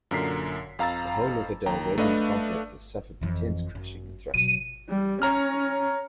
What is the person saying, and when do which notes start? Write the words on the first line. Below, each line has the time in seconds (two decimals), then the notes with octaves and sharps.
The whole of the Dalradian complex has suffered intense crushing and thrusting.
0.11 F#2 A#2 D3 A#4 B6 C7
0.79 F2 F5 A#5 E6 A6
1.66 D#2 G5 A#5
1.98 A3 D4 B4 D#5 F5
3.21 F2 E3
3.75 F#2
4.34 B2 F#3 D#7
4.89 G3
5.22 C#4 C#5 A#5 F6